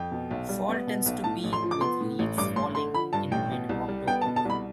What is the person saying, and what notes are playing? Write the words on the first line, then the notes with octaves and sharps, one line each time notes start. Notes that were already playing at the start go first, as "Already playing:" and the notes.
Fall tends to be with leaves falling in Mid-October.
Already playing: F2 G5
B2
B1
G3
B3
B2
B1
A2 A5
A1
C6
F3
D6
B3 C6
A2
A1
G2 D6
A1 C6
D3 C6
F3 B5
G2 A5
A1 G5
B2
C2
G3
B3 G5
A5
B2
A5
C2 B5